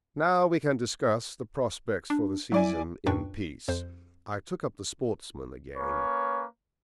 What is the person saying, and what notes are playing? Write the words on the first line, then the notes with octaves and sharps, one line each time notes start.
"Now we can discuss the prospects for the season in peace." I took up "The Sportsman" again.
D4
F#3 E4 D5 G#5
F#2 A#2 D4 B4 G5 C#6
F2 C5
A#3 C#4 B4 C#5